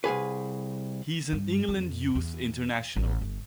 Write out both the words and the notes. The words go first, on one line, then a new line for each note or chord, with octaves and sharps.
He is an England youth international.
C2 B2 G#4 B4
G2
F2
E2
A1
G1